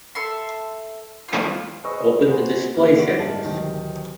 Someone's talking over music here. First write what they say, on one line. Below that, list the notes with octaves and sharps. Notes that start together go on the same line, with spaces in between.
Open the display settings.
A4 E5 C6
F4
G#4 B4 C5 D#5 C#6 E6
F#4 G#4 B4 C5
C#3 A#3
D3 F#4 C7 D7 F#7
G1 G#2 G3 E4 A#4 A5
D1 C3 D#3